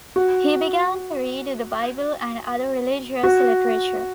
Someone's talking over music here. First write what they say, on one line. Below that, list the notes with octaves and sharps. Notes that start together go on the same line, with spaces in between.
He began to read the Bible and other religious literature.
F#4
F#4